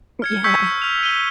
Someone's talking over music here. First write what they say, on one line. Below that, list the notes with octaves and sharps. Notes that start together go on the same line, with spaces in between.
N Yeah.
F6 G#6 C#7
C#6 E6 G6 G#6 B6 C#7
F6 F7
D#7 G7